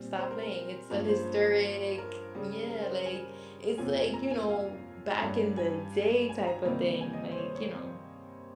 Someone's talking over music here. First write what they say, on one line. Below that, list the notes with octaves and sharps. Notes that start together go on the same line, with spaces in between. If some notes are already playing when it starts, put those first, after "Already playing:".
stop playing. It's a historic, yeah. Like, it's like, you know, back in the day type of thing, like, you know,
Already playing: A#2 G3 C4
C5
A#4
A#4
G2 F3 A#3 C#4 C#5
C5
A#4
C#3 G3 C#4
A#4
C5
G#5
F2 C3 F3 A#3 C#4 G#5
G#5
A#5
G#5
F5
G2 G3 C#4
G#5
G#5
A#5
C3 D#3 G3 A#3
G#5
D#5
C5
C#5
C#5